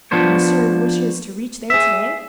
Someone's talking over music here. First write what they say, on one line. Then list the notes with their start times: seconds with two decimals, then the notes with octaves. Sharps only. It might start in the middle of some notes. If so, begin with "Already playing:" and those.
"And Monsieur wishes to reach there to-day?"
0.11 F3 B3 D4 C5 C#5
1.70 G#4 E5